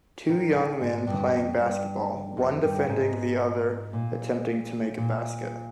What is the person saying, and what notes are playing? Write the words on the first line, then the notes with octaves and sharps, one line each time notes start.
Two young men playing basketball, one defending the other attempting to make a basket.
D#3
D#3
G#2
G2
F2
G2
F2
G2
G#2
A#2
A#2